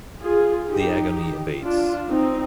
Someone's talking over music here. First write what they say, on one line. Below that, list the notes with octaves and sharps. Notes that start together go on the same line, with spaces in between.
The agony abates.
F4 G#4
D#4 G4
D4 F4
C4 D#4